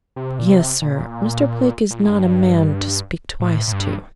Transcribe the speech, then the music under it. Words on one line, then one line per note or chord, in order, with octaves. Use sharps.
"Yes sir; Mr. Blake is not a man to speak twice to."
C3
A#2
C3
A#2
A#2
A2
G2
A2
A2
G2